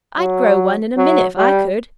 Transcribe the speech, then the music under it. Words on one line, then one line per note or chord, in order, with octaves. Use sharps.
"I'd grow one in a minute if I could."
F#3
F#3
G3